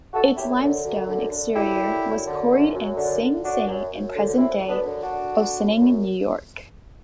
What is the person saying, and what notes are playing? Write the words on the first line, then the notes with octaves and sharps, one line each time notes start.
Its limestone exterior was quarried at Sing Sing in present day Ossining, New York.
D3 F#4 A4
F#2 E4 G4
D3
F#2
D3
D3
F#2 E4 G4
D3
F#2
D3
F#2
F#2
D3
D3
F#2 D4 F#4
F#2
F#2
D3
D3 C4 E4
F#2
B3 D4
D3
D4 F#4
D3
D3
F#2
F#2